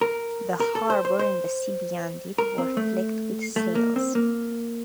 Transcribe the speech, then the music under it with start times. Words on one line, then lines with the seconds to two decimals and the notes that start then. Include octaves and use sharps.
The harbour and the sea beyond it were flecked with sails.
0.01 A#4
0.60 A#4
0.75 A4
0.90 C5
1.05 C5
1.19 C5
2.38 A#4
2.58 C4
2.77 A3
3.56 A3
3.75 A#3
3.96 C4
4.15 A#3